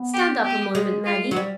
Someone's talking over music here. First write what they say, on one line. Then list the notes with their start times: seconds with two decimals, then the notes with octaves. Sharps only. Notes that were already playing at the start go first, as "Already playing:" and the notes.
"Stand up a moment, Maggie."
Already playing: B3
0.14 G4
0.44 G4
0.75 G#3
1.06 F4
1.31 F#3
1.36 G3